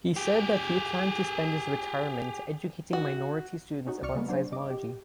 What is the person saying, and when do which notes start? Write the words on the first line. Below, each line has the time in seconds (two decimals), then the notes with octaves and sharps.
He said that he planned to spend his retirement educating minority students about seismology.
0.16 G4 G#4
2.93 F#4
3.87 C#4 D#4 F#4
4.03 C#2 D5 C#6 F6 C#7
4.15 C#3 G3 G#3 A#3 B3
4.28 F#3 D4 C5
4.52 G2 D#5 D6
4.70 G4